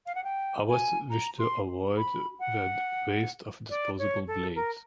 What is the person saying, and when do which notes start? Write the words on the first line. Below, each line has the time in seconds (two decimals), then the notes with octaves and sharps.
Others wish to avoid the waste of disposable blades.
0.06 F5
0.15 F#5
0.24 G5
0.68 G#5
1.10 A#5
1.39 C6
1.97 B5
2.40 F#5
3.70 D5
3.99 C#5
4.27 A4
4.56 A#4